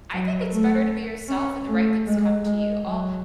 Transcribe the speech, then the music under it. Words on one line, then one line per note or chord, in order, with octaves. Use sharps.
I think it's better to be yourself and the right things come to you. Oh,
F#3
A3
C#4
A3
G#3
G#3
F#3